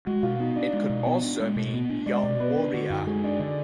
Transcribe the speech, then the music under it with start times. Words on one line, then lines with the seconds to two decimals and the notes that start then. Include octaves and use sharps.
It could also mean 'young warrior'.
0.06 G#3 F#4
0.23 B2 F4
0.39 B3 D#4
0.56 D4 D5
0.73 G#3 D#5
0.90 B2
1.06 B3
1.23 D4
1.40 G#3
1.56 B2
1.74 B3
1.90 D4
2.06 G#3 D5
2.16 D#5
2.24 B2 D5
2.40 B3 B4
2.56 D4
2.73 D3 F#4
2.90 F#2 D#4
3.07 G#3 G#4
3.24 D4 D5
3.39 D3 D5